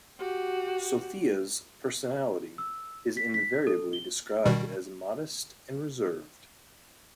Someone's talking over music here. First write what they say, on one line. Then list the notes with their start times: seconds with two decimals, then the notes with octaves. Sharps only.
Sothea's personality is invariably described as modest and reserved.
0.19 F#4 G4
2.58 E6
3.17 B6
3.34 B6
3.67 A4
3.93 G7
4.46 B2 D#3 G3